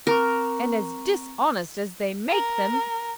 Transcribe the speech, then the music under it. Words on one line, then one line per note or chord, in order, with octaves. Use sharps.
'And as dishonest as they make them.'
C4 A#4 A#5 C#6
A#4